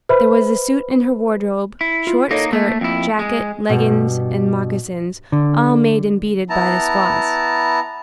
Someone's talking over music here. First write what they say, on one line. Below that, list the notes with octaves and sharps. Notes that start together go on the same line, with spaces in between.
There was a suit in her wardrobe, short skirt, jacket, leggins, and moccasins, all made and beaded by the squaws.
B4 C5 E5 B5
E4
F4
A#3 D#4 A4 C#5 D#5
A3 A#3
F2 E4
G#3
G2 B2
D3
B3 E4 A5 A#5